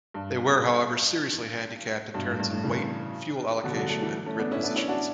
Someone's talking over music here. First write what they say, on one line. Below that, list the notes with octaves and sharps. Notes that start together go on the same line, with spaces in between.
They were however seriously handicapped in terms of weight, fuel allocation and grid positions.
G2
G2 B2
A2
G2
A2
C#3 E3
B2 D3
G3
D3 F#3
F#3 A3
E3 G3
A3 C#4
B3 D4
C#4 E4
B3 D4
C#4 E4
D4 F#4